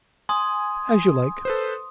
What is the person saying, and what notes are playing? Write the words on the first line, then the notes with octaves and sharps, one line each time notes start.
'As you like....
G#5 C6 D#6
A4 B4 C5